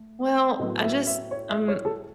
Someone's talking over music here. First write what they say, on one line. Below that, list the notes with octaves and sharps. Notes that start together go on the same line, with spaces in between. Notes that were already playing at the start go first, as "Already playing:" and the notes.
"Well, I just I'm
Already playing: A3
A2 F#3 B3 D#5
E5
E5
C#5
E5
C#5
A4